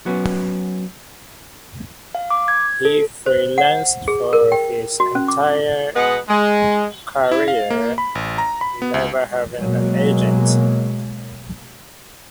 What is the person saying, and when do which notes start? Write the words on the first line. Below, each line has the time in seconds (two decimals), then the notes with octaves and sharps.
He freelanced for his entire career, never having an agent.
0.06 F#3 B3 C#4
2.15 F5
2.30 D6
2.48 G#6
2.85 A4
3.26 C5
3.58 F#5
4.08 G#4
4.33 A#4
4.52 G5
5.00 F#4
5.15 C#4
5.28 D6
5.95 B2 G#3 B3 B4 D#5 F#5
6.29 G#3
7.32 E4
7.48 F5
7.70 A#3
7.98 B5
8.15 A1
8.38 A#5
8.61 B5
8.82 B3
8.94 C#2
9.58 B2 F#3 G#3 A#3